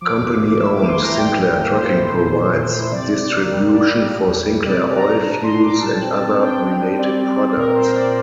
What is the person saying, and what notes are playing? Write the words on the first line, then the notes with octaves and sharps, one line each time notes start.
Company-owned Sinclair Trucking provides distribution for Sinclair Oil fuels and other related products.
F3 D6
E2
F3
E4 E6
D6
A3
C6
E3 A#5
G3 G5
A2
A#3
A#2 C5
E4
A#2
E3
A3
E4
C3 D5
C3
A#3
G3
G3
G3
G3
E2
G3
C3 D5
C3
A#5
C3
D4 A#5
A#2 C6
A#2 D6
G3 A5
C4
C4
D4 G5
D4
G3
C4 D5
C4
C4
A#2 A#4
A#2 C5
C4 D5